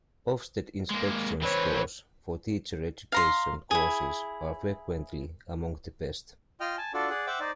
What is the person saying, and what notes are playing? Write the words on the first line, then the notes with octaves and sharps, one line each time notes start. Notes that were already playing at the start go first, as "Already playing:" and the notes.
Ofsted inspection scores for teacher education courses are frequently among the best.
G#3 A#3
E3 C4 B4 C#5
F5 A#5 C6
E4 G#4
F4 D#5 G5 F6
G#5 A5
D4 F4 F#4 A4 D5
G#4 D5 F#5
C5 E5 F#5 G5 D6 E6
D#4 C5 D5